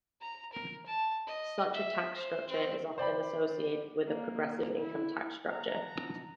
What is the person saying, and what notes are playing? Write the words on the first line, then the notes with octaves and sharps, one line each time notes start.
Such a tax structure is often associated with a progressive income tax structure.
A#5
A#4
A5
D#5
E5
C5
C4
C5 D5 G5 B5
A#3
E4
F#5 A5 A#5